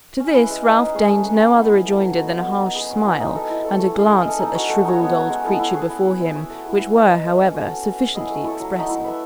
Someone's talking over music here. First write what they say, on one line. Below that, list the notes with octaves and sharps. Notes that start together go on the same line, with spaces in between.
To this Ralph deigned no other rejoinder than a harsh smile, and a glance at the shrivelled old creature before him, which were, however, sufficiently expressive.
C#4
E4 B4
G#3
C#4 G#4 D#5
D#4
G#4 C#5
A3
C#4 G#4
B3
E4 B4
E4
A4 E5
F#3
A3 D#4 F#4
B3
F#4 C#5
D#4
G#4 B4
C#4
E4 B4 D#5
D#4
A4 D#5
E4
A4 C#5
A3
C#4 G#4
E4
A4 D#5
D#4
F#4 C#5
A3
D#4 F#4 C#5
B3
F#4 C#5
G#3
B3 E4 A4
E4
G#4 C#5
E4
G#4 B4
E4
G#4 C#5 E5
A3
E4 G#4
E4
B4 D#5
D#4
A4 E5
C#4
F#4 A4
C#4
F#4 B4 E5
C#4
E4 G#4 D#5
A3
E4 A4 C#5
F#3
A3 D#4
E4
B4 E5